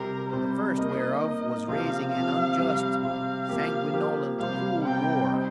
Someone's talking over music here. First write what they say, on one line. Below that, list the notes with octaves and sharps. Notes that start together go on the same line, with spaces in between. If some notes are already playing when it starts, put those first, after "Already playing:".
The first whereof was raising an unjust, sanguinolent, cruel War.
Already playing: C3 G3 C4 G4 A#4
C3 G3 C4 G4 C5
A#3 D#4 A#4 D#5
A#3 D#4 A#4
C3 F3 C4 G4 F5
C3 F3 C4 G4 F5
C3 G3 C4 G4
C3 G3 C4 G4 F5
F3 A#3 G4
F3 A#3 G4
C3 G3 C4 G4 C5 F5
C3 G3 C4 G4 C5 G5
G3 C4 D#4 C5